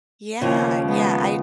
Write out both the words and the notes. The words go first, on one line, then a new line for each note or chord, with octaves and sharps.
Yeah, yeah, I
D#2 C#3 F3 A#3 C#4
G#3 B3